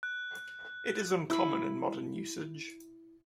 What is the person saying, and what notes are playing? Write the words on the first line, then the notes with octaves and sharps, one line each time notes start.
It is uncommon in modern usage.
F#6
E4 B5